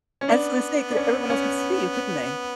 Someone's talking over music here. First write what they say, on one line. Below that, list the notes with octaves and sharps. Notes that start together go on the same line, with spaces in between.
I was gonna say 'cause everyone else could see you, couldn't they?
C#4
B3 D4
D4
C#4
C#4